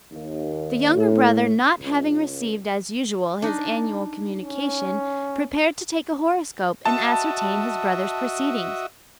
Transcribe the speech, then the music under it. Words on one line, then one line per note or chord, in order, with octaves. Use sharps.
The younger brother not having received as usual his annual communication, prepared to take a horoscope and ascertain his brother's proceedings.
D#2
A2
C#2
D4 D#4
C#4
F#4 D#5 E5 A5